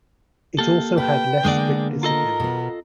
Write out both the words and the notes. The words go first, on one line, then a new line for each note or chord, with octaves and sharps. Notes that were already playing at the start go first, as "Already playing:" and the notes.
It also had less strict discipline.
A#3 G4 A4
B4 G5
D3 G#3 A#3 B3 G#4 D5
F4 A4 A#4 D#5
B2 B3